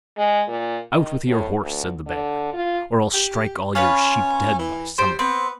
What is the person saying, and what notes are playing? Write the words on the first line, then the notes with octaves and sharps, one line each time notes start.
'Out with your horse', said the Bear, 'or I'll strike all your sheep dead by summer.'
G#3
A#2
D#3
A2
D2
D3
F4
G4
C#4 F4 B4 C#5
E3
G3 C5
B3 C4